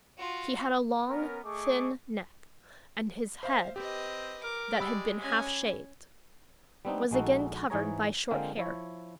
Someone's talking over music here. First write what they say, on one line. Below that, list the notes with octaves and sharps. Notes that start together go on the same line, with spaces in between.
He had a long thin neck, and his head, that had been half shaved, was again covered by short hair.
F4 F#4
B3 C#4 A#4
A3 G#4 D#5 C#6 D6
C5 E5 F5
C4 G4 B4 D#5
A#4 D6
G#3 G4 D5 B5 E6
C#4 G#5
G3 B3 C4 D4 D#4
A#1 G#3 D#4 F#4 A4
G#2 E3 D#4 G#4 C#5 A#5
D3 G#3 A#3 C4 F4 C5
F3 E4 C#5